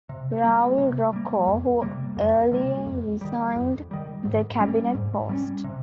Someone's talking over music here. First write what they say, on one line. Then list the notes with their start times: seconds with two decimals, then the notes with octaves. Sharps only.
Raul Roco, who earlier resigned the cabinet post.
0.09 C3
0.44 G3 A#3
0.78 C3
1.13 G3 A#3
1.47 F2
1.82 C3 G3 A#3
2.17 F2
2.51 C3 G3 A#3
2.86 F2
3.21 D#3 G3
3.55 F2
3.91 D#3 G3
4.25 G#2
4.60 G3 A#3 C#4
4.95 G#2
5.29 G3 A#3 C#4
5.64 C3